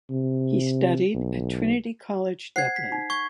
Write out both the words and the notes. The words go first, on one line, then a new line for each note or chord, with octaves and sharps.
He studied at Trinity College Dublin.
C3
B1
C5 F#5 G#6 C7
B6
D#4
C#6 G#6